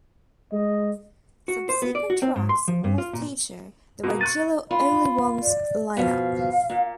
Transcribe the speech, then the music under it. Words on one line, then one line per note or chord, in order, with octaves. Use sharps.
Subsequent tracks all feature the regular Only Ones line-up.
G#3 D#5
F#4
C5
B3
D5
F#4
C4
G#2
C6
F3
G2
F4
A#2
B2 A#3
C#6 F#6 A6 D#7
F4 B5
D5
B2 F3 F5
A#2